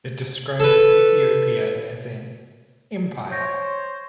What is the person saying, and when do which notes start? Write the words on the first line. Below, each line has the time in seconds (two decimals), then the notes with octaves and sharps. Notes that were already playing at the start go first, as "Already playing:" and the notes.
It described Ethiopia as an "empire".
0.60 A4 B4
3.32 C5 C#5 G6 A#6